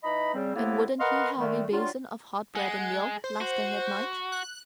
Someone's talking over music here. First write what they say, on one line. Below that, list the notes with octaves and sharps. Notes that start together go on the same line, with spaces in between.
And wouldn't he have a basin of hot bread and milk last thing at night?
E3 D#4 D#5 B5
C#3 G3 C4
A2 C3 A#3 B3 E4 A4
A#4 B4 D#5 F5 F#5 C6
D3 D#3 A3
F#3 G3 D4 F4
G#3 F#5
C5
F#4
F#6